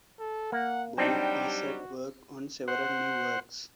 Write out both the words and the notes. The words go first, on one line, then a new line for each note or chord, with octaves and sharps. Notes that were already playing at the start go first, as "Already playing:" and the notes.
Boyd is at work on several new works.
A4
A#3 F#5
F#3 G3 C4 D4 D#4 G5
F#4
C5 F#5